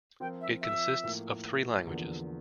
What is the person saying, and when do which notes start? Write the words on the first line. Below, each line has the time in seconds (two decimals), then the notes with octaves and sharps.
It consists of three languages.
0.20 F3 C4 F4 A#4 G5
0.41 E5
0.61 E5
1.04 A2 F3 A#3
1.87 E2 D3 F3 A#3